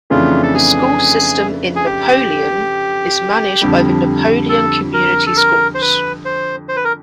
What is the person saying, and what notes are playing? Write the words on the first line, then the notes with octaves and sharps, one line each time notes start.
The school system in Napoleon is managed by the Napoleon Community Schools.
F2 C#3 E3 A3 D4 F4
A4
G#4
G#4
G4
F2 D3 G3
A4
A#4
A4
A#4
C5
B4
C5
C5
B4
A#4